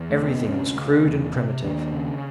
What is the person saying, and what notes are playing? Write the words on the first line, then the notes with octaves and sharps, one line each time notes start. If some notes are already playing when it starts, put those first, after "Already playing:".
Everything was crude and primitive.
Already playing: E2
A3
C3
B3
D2 C#4
C#3
E2
C3
D#2 D4
C#3